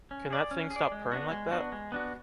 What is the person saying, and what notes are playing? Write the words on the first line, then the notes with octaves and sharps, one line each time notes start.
Can that thing stop purring like that?
C#4
G#4 D5
C#4
G#4
D5
G#3
B3 D4 F#4
G#3
B3 D4 F#4
G#3
B3 D4 F#4